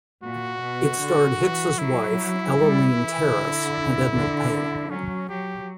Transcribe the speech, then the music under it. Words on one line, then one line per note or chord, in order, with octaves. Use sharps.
It starred Hicks's wife, Ellaline Terriss and Edmund Payne.
A#2 F#4
B2
D3
E3
F#3 E4
G3
E3
D3
D3
F#3 C#4
F#3 G4